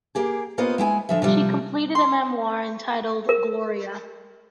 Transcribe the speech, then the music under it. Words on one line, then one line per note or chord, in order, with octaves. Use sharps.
She completed a memoir, entitled "Gloria".
A#3 G4 G#4
A#3 B3 F4 C5 D#5
G#3 E4 G5 G#5
D3 F3 E5
C3 F3 G3
C6
A#4